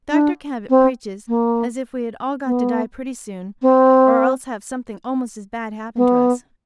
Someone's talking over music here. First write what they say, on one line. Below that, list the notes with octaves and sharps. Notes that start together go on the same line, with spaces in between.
Dr Cabot preaches as if we had all got to die pretty soon, or else have something almost as bad happen to us.
D4
C4
A#3
B3
C4
B3